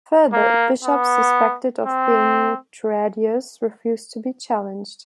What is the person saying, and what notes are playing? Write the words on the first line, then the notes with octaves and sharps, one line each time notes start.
Further, bishops suspected of being traditores refused to be challenged.
A#3
B3
C4